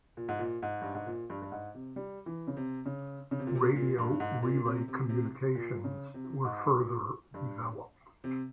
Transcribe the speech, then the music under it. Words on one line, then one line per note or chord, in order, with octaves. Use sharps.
Radio relay communications were further developed.
A#2
G#2
A#2
G#2
G2
G#2
A#2
G2
G2
G#2
C3
G3
E3
C#3
C3
C#3
C#3
C3
A#2
C3
A#2
G2
G#2
A#2
C3
C3
C3
A#2
C#3
C3
G#2
A#2
G2
C3